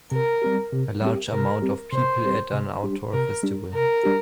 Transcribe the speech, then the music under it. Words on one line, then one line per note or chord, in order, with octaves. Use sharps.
A large amount of people at an outdoor festival.
C3 A#4
G3 C4 G4
C3
G3 C4 G4
C3 A#4
G3 C4 G4
C3 C5
G3 C4 G4
C3
G3 D4 G4
C3 A#4
G3 D4 G4
C3 A#4
G3 D4 G4